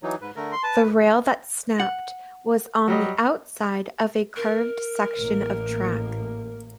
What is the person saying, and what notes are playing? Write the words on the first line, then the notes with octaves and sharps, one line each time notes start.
The rail that snapped was on the outside of a curved section of track.
E3 F#3 D#4
G#2 B4
D3 A3 A#4
C6
B4 A5
F#5
F#3 G3 D#5
A#4
A1 A2 A#3